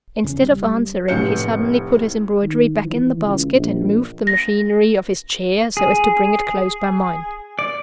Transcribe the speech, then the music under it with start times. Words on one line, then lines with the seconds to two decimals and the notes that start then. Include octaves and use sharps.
Instead of answering, he suddenly put his embroidery back in the basket, and moved the machinery of his chair, so as to bring it close by mine.
0.24 E2 C#3
0.41 G3
1.08 F1 A2 G6 C#7
2.42 D#3
2.85 E3
3.20 C#2
3.53 A#1
4.27 A#6
5.77 G#4
7.59 D5